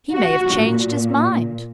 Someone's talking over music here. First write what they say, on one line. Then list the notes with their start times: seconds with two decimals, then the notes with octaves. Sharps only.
"He may have changed his mind."
0.14 F#4
0.57 A#2